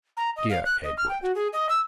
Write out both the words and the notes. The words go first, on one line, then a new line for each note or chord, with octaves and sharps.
"Dear Edward!"
A#5
D#5
F5
F#6
D#5
F6
G5
F#4
G#4
D#5
E6